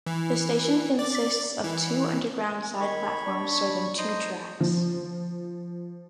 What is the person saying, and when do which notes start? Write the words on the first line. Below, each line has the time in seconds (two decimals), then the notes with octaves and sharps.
The station consists of two underground side platforms serving two tracks.
0.06 E3
0.99 D5
1.64 E3
2.80 D#3 C#5 B5 C#6
3.26 D4
3.98 D#4 C5 D#5 C6
4.60 F3